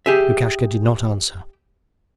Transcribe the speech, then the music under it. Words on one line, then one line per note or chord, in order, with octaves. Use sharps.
Lukashka did not answer.
G4 G#4 E5